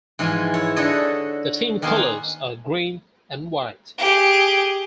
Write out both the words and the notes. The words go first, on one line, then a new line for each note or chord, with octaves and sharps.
The team colours are green and white.
G#2 E3 F3 G#5
E4 C#5
D3 F#4 A4 C#5 D#5
D#3 A#3 B3 G#5 C6
G4 G#4